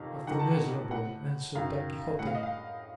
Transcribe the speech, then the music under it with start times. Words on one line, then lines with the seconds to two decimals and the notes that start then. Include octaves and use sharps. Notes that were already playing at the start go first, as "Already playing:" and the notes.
"Of the miserable," answered Don Quixote.
Already playing: F2 C3 D#3 F5
0.27 F2 D#3 F#5
0.39 A5
0.51 F#5
0.91 A2 F#5
1.55 F#2 D#3 F5
2.19 A2 F#5
2.27 F5
2.35 D#5
2.43 F5